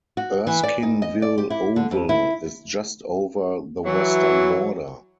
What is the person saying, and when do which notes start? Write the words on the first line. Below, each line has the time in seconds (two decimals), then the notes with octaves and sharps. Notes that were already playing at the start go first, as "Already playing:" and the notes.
Erskineville Oval is just over the western border.
0.17 F#4
0.47 E3
0.63 D5
0.83 D#4
1.02 D#5
1.22 D5
1.38 G4
1.50 E4
1.76 D3
1.91 F2
2.09 E4
3.86 E3 F#3